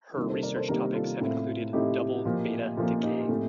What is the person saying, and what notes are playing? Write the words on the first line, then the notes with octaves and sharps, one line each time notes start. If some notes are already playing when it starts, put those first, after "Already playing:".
Her research topics have included double beta decay.
C3 D#3 G3 A#3
A4 C5
A#4 D5
A4 C5
C3 D#3 G3 A#3 G4 A#4
F4 A4
A2 A3 C4
A2 A3 C4 D#4 G4
A#2 F3 A#3
A#2 F3 A#3 F4 A4
D#4 G4
A2 A3 C4